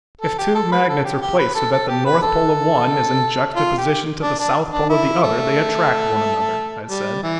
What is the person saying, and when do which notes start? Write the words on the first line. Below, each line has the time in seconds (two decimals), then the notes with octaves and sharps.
"If two magnets are placed so that the north pole of one is in juxtaposition to the south pole of the other, they attract one another," I said.
0.21 A4
0.39 G4
0.55 A4
0.72 B4
0.89 A4
1.05 G4
1.22 G4
1.39 B4
1.55 A4
1.72 A4
1.88 G4
2.05 B4
2.22 A4
3.56 F4
3.78 G4
4.22 D4
4.39 D4
4.73 D4
4.90 E4
5.23 A3
6.90 G3
7.23 E3